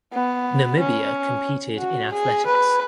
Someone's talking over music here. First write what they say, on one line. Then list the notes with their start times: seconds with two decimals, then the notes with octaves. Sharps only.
Namibia competed in athletics.
0.13 B3
0.79 C#4
1.79 F#4
2.12 G#4
2.46 B4